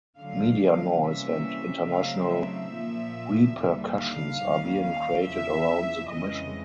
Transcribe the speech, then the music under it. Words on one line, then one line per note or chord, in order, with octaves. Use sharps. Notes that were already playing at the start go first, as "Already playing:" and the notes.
Media noise and international repercussions are being created around the commission.
D3 F#3 A3 F5
C3 E3 G3 A#3 C#4 E5
C#3 F#3 A3 C4 D#4 F5
E5
A#2 F3 A#3
D#2 D3 G3
F5
D#2 D#3 G3 A#3 C#4
F5
E2 C#3 F3 E5
F2 C#3 E3 G#3 D#5